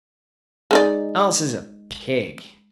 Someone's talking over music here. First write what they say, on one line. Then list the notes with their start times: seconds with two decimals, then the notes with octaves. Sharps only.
Alice is a pig.
0.71 G#3 D#4 D5